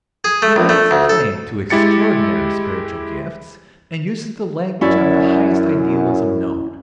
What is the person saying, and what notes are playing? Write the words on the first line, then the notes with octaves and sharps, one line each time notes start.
He lays claim to extraordinary spiritual gifts, and uses the language of the highest idealism known.
G#4
A3
A#1
A3
D2
A4
G#3 E4 G4 A6 C#7
F#2 C#4 E4 D5